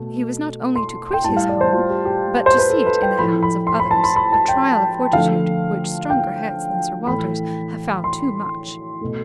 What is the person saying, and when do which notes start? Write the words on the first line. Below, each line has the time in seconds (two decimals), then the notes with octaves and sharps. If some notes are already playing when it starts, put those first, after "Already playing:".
He was not only to quit his home, but to see it in the hands of others; a trial of fortitude, which stronger heads than Sir Walter's have found too much.
Already playing: B2 A3
0.76 C6
1.13 G5
1.24 A2 G3 A5
1.37 F5
1.49 D5
1.61 C5
1.72 F4
1.90 G4
2.05 G4
2.46 C5
2.58 B4
2.70 A4
2.86 B4
3.02 G5
3.18 A2 F3 A3 B5
3.43 B5
3.67 C6
3.80 B5
3.91 A5
4.04 B5
4.16 B5
4.32 A5
4.48 G5
5.12 D3 F3 A3 F5
6.10 G5
7.07 A2 E3 A3 B5
8.04 C6
9.01 B2 A3